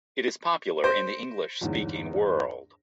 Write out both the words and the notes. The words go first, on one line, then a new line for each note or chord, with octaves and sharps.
It is popular in the English-speaking world.
C5 A#6 B6 D7
G1 E2 G#2